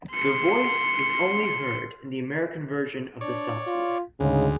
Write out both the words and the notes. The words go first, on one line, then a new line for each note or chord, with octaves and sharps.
The voice is only heard in the American version of the software.
C6 C#7
D4 C#5 D5
F4
D2 G#2 C#3 G#4